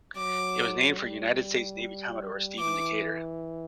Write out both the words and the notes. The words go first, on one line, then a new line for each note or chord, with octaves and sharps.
It was named for United States Navy Commodore Stephen Decatur.
F#3 D6
G3
E3 D6